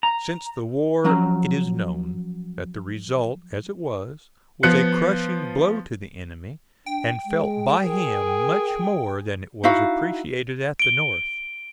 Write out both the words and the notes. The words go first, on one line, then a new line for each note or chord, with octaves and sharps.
Since the war it is known that the result, as it was, was a crushing blow to the enemy, and felt by him much more than it was appreciated at the North.
A#5
F3 F#3 C#4 A#5
F3 B3 F#6 C#7
D4 G5
G#3
G#4 A#4
D#4 E4 F#4 F5
D7 G7